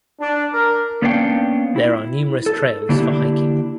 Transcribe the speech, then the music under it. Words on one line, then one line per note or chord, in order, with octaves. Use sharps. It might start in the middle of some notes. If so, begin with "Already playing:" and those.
There are numerous trails for hiking.
D4
A#4
A#3 B3 C#4 D4 F5 G5
E4
A4
D3 A#3 D4 E4 G4